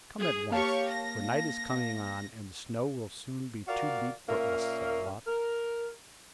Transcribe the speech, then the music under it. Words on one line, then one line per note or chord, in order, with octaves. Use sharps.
Come at once, for night is coming on, and the snow will soon be too deep for us,' said Blot.
G#4
A#3 G4 C#5 F5 A5 C#6
A#6
F4 F#4 A#4 D5 F5
A#2 A#3 C#4 A#4 E5 F5
A#4